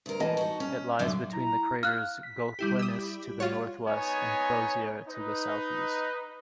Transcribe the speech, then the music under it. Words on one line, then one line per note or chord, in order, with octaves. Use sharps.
It lies between the craters Goclenius to the northwest and Crozier to the southeast.
D2 A#4
E3 D#5 A5
D#4 F#4
C#4
F#2 A#2 D3
E4 A#5
F5 F6 F#6
B6
G3 E4 G4
D#6 E6
F4 F#4 C#5
B3 D#4 C#5 G#5
D#4 B4